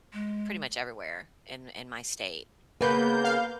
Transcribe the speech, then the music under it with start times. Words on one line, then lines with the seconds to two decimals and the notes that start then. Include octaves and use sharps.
pretty much everywhere in in my state.
0.13 G#3
2.81 C#3 A#3 B3 B4 G6
3.24 F5